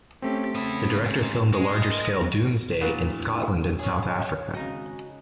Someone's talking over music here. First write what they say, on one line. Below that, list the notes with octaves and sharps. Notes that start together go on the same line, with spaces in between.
The director filmed the larger-scale "Doomsday" in Scotland and South Africa.
A3 C4 C#4 G4
C#3 B3 E4
G#2
G#3
A#4 D#5
D2 A#2 B3 E4 F#4 B4
C#4 G#4 C#5
G#1 C#3 D#4 F#4 D#5